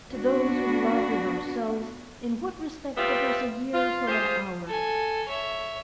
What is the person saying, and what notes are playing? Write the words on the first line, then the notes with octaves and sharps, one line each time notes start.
To those who love as ourselves, in what respect differs a year from an hour?
B3 D4 F#4
G3 B3 C4 F4 E5
F4
F4 G4 G#4 C5
A4 G#5
C#5 E5